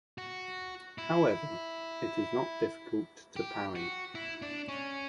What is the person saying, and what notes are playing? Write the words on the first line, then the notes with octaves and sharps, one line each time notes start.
However, it is not difficult to parry.
F#4
E4
G4
F#4
E4
D4
C#4